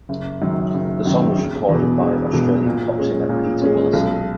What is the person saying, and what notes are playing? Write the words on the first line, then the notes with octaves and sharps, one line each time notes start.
The song was recorded by Australian pop singer, Peter Wilson.
F#1
F#2 D#3
F#1
F#2 D#3
E1
E2
B2
E1
E2 B2
A#2
G#3 C#4
A#2
G#3 C#4
B1